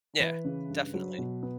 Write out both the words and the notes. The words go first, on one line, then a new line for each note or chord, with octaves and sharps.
Yeah. Definitely.
E3 B4
C#3
G2
F#3
B2
B3